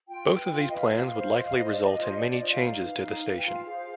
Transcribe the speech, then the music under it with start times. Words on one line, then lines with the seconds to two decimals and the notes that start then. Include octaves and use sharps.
Both of these plans would likely result in many changes to the station.
0.08 F4 G5
0.29 B4
0.50 F4 G5
0.60 F5
0.68 B4 D#5
0.77 F5
0.92 F4
1.13 C5
1.34 F4 D#5
1.45 F5
1.55 C5 D#5
1.70 D5
1.76 D4 D#5
1.97 F4 C5
2.18 D4 D5
2.29 D5
2.39 F4 C5 D#5
2.50 F5
2.61 D#4
2.81 B4
3.02 D#4
3.23 B4
3.38 G5
3.44 F4 F5
3.65 G#4 C5